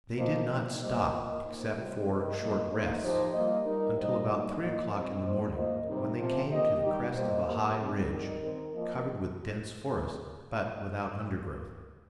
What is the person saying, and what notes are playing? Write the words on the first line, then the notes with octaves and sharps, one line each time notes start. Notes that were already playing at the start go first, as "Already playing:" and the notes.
They did not stop, except for short rests, until about three o'clock in the morning, when they came to the crest of a high ridge, covered with dense forest, but without undergrowth.
F3 A#3 F4 C5 D#5
A#2 F3 D#4
G3 A#3 F4 C5 D#5
A#3 F4 A#4 D#5
A#2 A#3 D#4 C5
C3 G3 C4 F4
C3 F3 D#4 A#4 D#5
G3 A#3 F4 D#5
A#3 D#4 C5 D#5
F3 D#4 G4 C5 D#5
G3 A#3 F4 D#5
G3 D#4 A#4
G3 A#3 D#4 C5 D#5
G3 A#3 D#4
A#3 F4 D#5
G3 C4 F4 C5 D#5
A#2 G3 D#4 C5
A#3 F4 C5 D#5
C3 G3 D#4 C5
C3 F3 C4 F4
A#3 G4 D#5
D#3 G3 D#4 G4
G3 A#3 F4 C5 D#5
A#3 G4 C5
C3 G3 C4
G3 D#4 A#4 D#5
D#3 C4 D#4 A#4
F3 A#3 F4 A#4 D#5